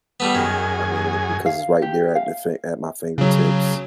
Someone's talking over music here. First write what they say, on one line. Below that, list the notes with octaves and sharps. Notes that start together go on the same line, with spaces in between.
I mean, because it's right there at the fi at my fingertips,
G3 A3 B3
F#2 D#3 G#4
F5
G4
F5
C#3 F#3